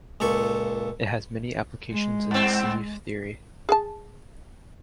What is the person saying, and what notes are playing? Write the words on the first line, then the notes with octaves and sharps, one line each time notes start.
It has many applications in sieve theory.
C#2 A#2 A4 C#6
G#3
G#2 C4
G#4 F#5 A5